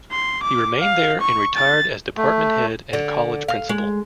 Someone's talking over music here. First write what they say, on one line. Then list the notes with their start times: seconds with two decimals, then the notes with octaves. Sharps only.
He remained there and retired as department head and college principal.
0.12 C6
0.43 D6
0.81 F5
1.21 C#6
1.57 A6
2.17 A3
2.93 D3
3.48 F5
3.69 G#3